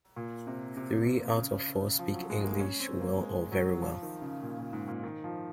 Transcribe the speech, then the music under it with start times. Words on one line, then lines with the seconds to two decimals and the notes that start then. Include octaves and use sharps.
Three out of four speak English well or very well.
0.16 A#2
0.47 C3
0.77 C3
1.38 C#3
1.99 F3
2.14 F#3
2.30 G#3
2.44 A#3
2.60 C#4
2.80 C4
3.00 A#3
3.21 G#3
3.52 F#3
3.82 F3
4.03 D#3
4.22 C#3
4.43 A#2
4.58 A#2
4.73 G#2
4.88 A#2
5.03 D#3
5.24 F3